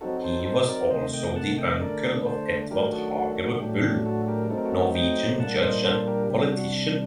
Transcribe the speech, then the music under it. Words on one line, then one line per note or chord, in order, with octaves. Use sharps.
He was also the uncle of Edvard Hagerup Bull, Norwegian judge and politician.
F#3 C4 D#4 F#4 A4
A4 C5
A4 C5
A#4 D5
C3 D#3 A3 C5 D#5
D#5 G5
F#5 A5
D#5 G5
D#5
D3 A3 D4 A#4 D5
A4 C5
D#3 F#3 A3 D4 G4 A#4
F#4 A4
F#4 A4
F#4
A2 F#3 A3 D4 G4
G4
F#4 A4
G4 A#4
F#3 A3 C4 D#4 A4
A#4
F#4 A4
D#5 G5
A#2 G3 A#3 D4 F#5 A5
C5 D#5
A4 C5
G4 A#4
C3 G3 D4 G4
F#4